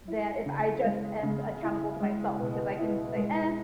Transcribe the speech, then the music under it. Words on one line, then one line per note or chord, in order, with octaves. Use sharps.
than if I just am accountable to myself because I can say, "Eh,
E4
C#3
G#3
C#3
E4
G#3
B2
E4
G#3